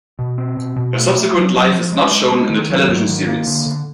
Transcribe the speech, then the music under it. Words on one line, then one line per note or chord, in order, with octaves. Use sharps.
Her subsequent life is not shown in the television series.
B2
C4
B2
B2
A3
A3
F#3
F#3
F3
G#3
G#3
G#3
D#3
F#3
G#2
D#3
A#3
D3
D3